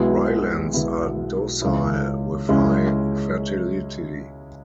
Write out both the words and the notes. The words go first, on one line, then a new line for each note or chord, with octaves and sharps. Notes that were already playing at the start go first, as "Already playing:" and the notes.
Ryelands are docile with high fertility.
Already playing: B1 B2 G#3 B3 E4
B1 B2 G#3 B3 E4
C#2 C#3 G#3 C#4 E4
C#2 C#3 G#3 C#4 E4